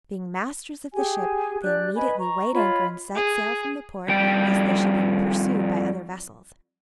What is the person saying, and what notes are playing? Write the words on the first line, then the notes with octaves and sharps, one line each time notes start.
Being masters of the ship, they immediately weighed anchor and set sail from the port, lest they should be pursued by other vessels.
G4 G#4 G#5
D4 G4 D5 F#6
B4 D#5 G#5 B5
A#5 C#6
F4 C#5 D#5 B5
G#4
F2 G3 G5